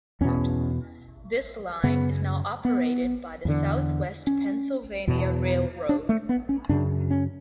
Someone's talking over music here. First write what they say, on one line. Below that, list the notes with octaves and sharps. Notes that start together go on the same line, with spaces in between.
This line is now operated by the Southwest Pennsylvania Railroad.
E2 B2 C#4
F#2 C#3 B3
B3
E2 D3
C#4
E2 B2
D4
A3
B3
C#4
F#2 C#3 D4
C#4